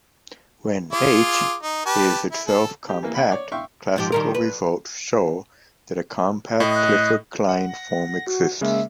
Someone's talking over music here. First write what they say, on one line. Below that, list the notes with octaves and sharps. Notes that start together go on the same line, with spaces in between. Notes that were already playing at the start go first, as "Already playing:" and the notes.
When "H" is itself compact, classical results show that a compact Clifford-Klein form exists.
F4 G#4 D6
D#4
G4 B4 A5
E4
A4
G4
E3 A#3
F#5 B5
C#5 D5
E5 F5 G5 C6 C#6
G#2 F3 G4
D#3 G3 A#4
B4
A2 D#5
F#6
F#5
A#6
F#4
C#3 G#3 A#3 E5